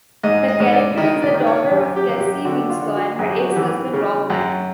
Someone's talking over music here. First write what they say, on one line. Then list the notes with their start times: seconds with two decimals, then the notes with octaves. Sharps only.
The character is the daughter of Cassie Winslow and her ex-husband, Rob Layne.
0.23 G#2 D#5
0.48 D#5
0.60 G#2
0.73 D5
0.98 D#3 D#5
1.22 D5
1.34 D#3
1.47 C#5
1.71 F#2 G4
1.96 G4
2.09 F#2
2.20 G4
2.45 D3 F#4
2.70 F4
2.82 D3
2.95 F#4
3.19 F#2 G#4
3.30 G4
3.41 F#4
3.51 E3 G4
3.93 C#3
4.30 F#2